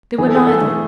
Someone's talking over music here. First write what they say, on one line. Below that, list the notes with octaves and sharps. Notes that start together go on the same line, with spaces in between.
They were neither.
E3 G#4
A4
G#4
A4
A3